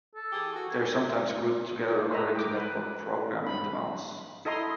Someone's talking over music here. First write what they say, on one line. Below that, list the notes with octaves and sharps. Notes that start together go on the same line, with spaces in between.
They are sometimes grouped together according to network programming demands.
A4
E3 G4 G#4
F#4
D#2 A#3 G#5
B4 D#5 E5 A#5
G5 D6
B4
B5
E4 A4 D#5 A#5 C6